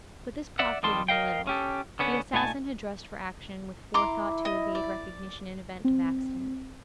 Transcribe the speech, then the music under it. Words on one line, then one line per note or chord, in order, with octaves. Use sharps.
But this profited him little: the assassin had dressed for action with forethought to evade recognition in event of accident.
D5 E5 F#5
F2 D#3 G3 A5 C6
A#4 D#5 F5 G5
C#4 G4 A4
D3 B3 C#4
A#2 A3 D#4 G#5 A5
E4 A#5 C6 D6
D#5
D5
C4